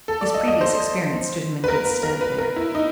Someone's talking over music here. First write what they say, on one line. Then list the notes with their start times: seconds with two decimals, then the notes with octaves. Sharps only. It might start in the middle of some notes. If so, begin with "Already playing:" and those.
His previous experience stood him in good stead there.
0.08 A4
0.21 D5
0.34 D#5
0.48 D#5
0.61 C5
1.64 B4
1.68 A#4
1.85 B4
2.03 A#4
2.21 B4
2.38 A#4
2.56 E4
2.75 D#4